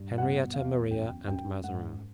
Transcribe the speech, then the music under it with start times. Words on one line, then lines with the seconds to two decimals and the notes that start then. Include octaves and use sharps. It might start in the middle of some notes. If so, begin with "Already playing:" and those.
Henrietta Maria and Mazarin.
Already playing: G2
0.17 B2 F#5
0.54 E2 F5
0.91 F#2 G5
1.28 F#2 G5
1.64 G#2 F#5